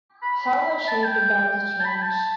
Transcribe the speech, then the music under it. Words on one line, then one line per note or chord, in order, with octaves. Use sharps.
How was she to bear the change?
B5
A5
G5
A5
B5
G5
A5